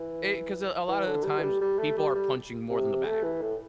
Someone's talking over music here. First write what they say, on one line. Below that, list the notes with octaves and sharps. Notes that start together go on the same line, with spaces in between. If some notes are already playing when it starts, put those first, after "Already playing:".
Eh 'cause a a lot of the times, people are punching more than the bag,
Already playing: E3
E3
D3
G3
E3
G3
G3
A3
G3
G3
C3
A3
E3
A2